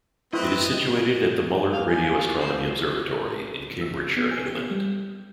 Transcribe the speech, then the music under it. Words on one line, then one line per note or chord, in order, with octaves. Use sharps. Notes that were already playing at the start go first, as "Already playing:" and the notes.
It is situated at the Mullard Radio Astronomy Observatory in Cambridgeshire, England.
C4 E4 B4 D#5
F5
G#5
G#5
F4
C5
E6
B3
G#5
G4
G3